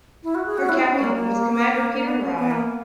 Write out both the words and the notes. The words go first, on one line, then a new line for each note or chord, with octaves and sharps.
Her captain was Commander Peter Rye.
E4
F#4
G#4
F#4
E4
D#4
C#4
A#3
A#3
B3
C#4
B3
A#3